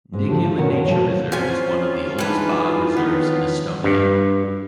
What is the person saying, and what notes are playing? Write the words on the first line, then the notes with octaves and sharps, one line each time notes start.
Nigula nature reserve is one of the oldest bog reserves in Estonia.
G#2
D3 F3 A3 G4
F4
B2 D#3 C#4 A#4 F#5
D3 A#4 C#5 G5
A2 C3 E3 F#3 F4 A4
F#3 C4 C#4 F4 G#5
E3 G#3 D4 D#4 B4
D#3 B3 C#4 D4
G2